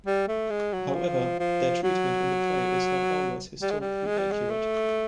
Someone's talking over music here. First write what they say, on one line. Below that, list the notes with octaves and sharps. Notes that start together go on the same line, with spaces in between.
However, their treatment in the play is not always historically accurate.
G3
A3
G#3
F#3
F3
F3
F#3
G3
G#3
G3
G#3
G3
G#3
A3